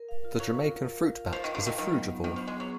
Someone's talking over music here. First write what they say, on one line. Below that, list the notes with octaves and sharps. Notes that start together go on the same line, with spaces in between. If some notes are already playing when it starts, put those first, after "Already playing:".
The Jamaican fruit bat is a frugivore.
Already playing: A#4
F5
F4
F#3 F4
F4
A#4
F5
F4
F5
F3 F4
D#3
F5
D3
D#3 F4
D#3 F#3
B3
F#3
D#3 D4
F3
B3
G#3
F#3 G#4